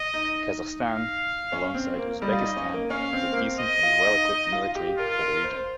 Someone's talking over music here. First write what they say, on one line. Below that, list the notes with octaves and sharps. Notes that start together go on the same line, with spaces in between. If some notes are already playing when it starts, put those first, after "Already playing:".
Kazakhstan, alongside Uzbekistan, has a decent and well-equipped military for the region.
Already playing: D#5
D#4
F5
C#4
C4
A#3
G3 D#5
F4
D#4
C#4
A#3
C#4 F5
C4
A#3
C4
D#5
F4
D#4
D#4
F4
G4
F4 A#4
A#4
C5